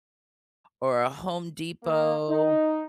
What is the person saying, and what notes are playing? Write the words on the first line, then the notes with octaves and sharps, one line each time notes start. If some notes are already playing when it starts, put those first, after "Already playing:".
or a Home Depot
A#3
D#4